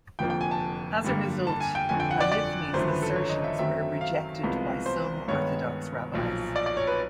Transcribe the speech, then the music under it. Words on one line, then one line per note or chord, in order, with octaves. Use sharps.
As a result, Halivni's assertions were rejected by some Orthodox rabbis.
F1 F2 D3 F3 A#3 G5
G5
G#5
A5
G2 D3 G3 A#3
A5
G#5
G5
G1 F2 D3 G#5
G5
F#5
D5
D5
G#1 F#2 D3 F3 A3 C5
B4
A4
C#5
D#5
E5
F#2 D#3 F#3 A3 C4 E5
F5
C2 C3 F3 G#3 B3
C5
G2 D#3 G#3 B3 C#5
B1 A#2 F3
D5
D5
C#5
B4